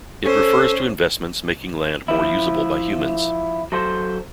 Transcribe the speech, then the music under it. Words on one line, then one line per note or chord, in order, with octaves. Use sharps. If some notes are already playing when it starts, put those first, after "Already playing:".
It refers to investments making land more usable by humans.
C#4 A4 C5
F3 E4
F#3 A4 C5